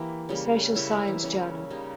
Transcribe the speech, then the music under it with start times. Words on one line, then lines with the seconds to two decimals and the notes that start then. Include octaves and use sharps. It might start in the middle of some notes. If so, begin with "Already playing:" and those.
The Social Science Journal.
Already playing: E3 A#3 E4 G4 G5
0.29 C#3 G3 A#3
0.76 C#3 G3 A#3 E4 E5
0.91 G3 G4
1.07 E3 E4
1.23 C#3 G3 A#3 C#4
1.70 C#3 G3 A#3 D#4